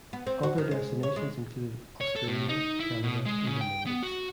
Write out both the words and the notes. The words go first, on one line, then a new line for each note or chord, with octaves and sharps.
Other destinations included Australia, Canada, and the Middle East.
B3
C4
F#4
D#3
G#3
C#5
G#3
C#5
A4
A2
D#4
E4
B2
G#3
C#3
G5
B3
F#4